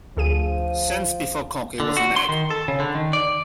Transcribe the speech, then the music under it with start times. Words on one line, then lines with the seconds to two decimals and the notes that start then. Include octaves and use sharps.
Since before cocky was an egg.
0.17 D2 F3 G#4 D#7
1.80 D3
1.97 F#4
2.16 C6
2.29 D#3
2.50 A4
2.68 C#3
2.80 D3
2.95 D#3
3.13 D5